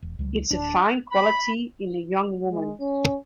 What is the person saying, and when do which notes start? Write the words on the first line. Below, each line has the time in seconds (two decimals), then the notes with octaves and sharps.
It is a fine quality in a young woman.
0.02 E1
0.19 C#2 F#3 G3
0.51 D1 D4
1.12 B5
2.47 G#3
2.80 C#4